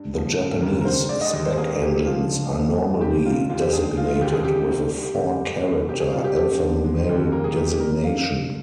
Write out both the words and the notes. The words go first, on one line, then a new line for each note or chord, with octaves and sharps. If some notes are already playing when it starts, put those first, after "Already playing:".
The Japanese spec-engines are normally designated with a four character alphanumeric designation.
Already playing: G2
F3
G1
D#2 A#4
A#4
D3 C5
G#3 D5
D#5
D#2
C5
A#3 G#4
D3 G4
F3 F4
G2
G1
F2
C3 G4
G1 F4
D#2 F4
G4
D3 G#4
G#3 F4
F4
D#2 G4
G#4
D2 G4
C3
G3
D2
G1
F2
C3 G4
G#4
G1 F4
G4
D4 G4
D3
G#3
D#2
A#3 A#4
G#4
D#3 G4
G4
G3 A#4
G2 F5
G2